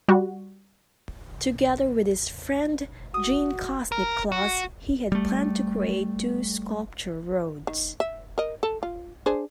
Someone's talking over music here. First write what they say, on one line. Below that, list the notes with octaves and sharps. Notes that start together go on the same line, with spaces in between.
Together with his friend Jeanne Kosnick-Kloss he had planned to create two sculpture roads.
G3 F#4
F#4 D#6
A#4
F#4
G3 A3
D#3
E5
A#4 D#5
A4
F4
D4 G#4 C5